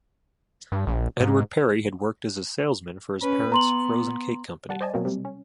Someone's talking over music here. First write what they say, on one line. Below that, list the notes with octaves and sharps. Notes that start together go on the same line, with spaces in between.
Edward Perry had worked as a salesman for his parents' frozen cake company.
G2
A#1
G#2
C#4 B4
B3 A#5 C6 F#7
G3 F#5 A5
C5 D5 D#5 G#5 A5
B2 F#3 A#3 C4 A#4
C3 G3
C#4